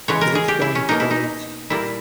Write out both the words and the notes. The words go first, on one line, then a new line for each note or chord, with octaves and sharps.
'Cause it's going towards
C#3 E3 G#3 B3 C#5
A#4
G#4
G4
E4
C#4
B2 A#3 D#4
E4
D#4
A#2 G3 A#3 E4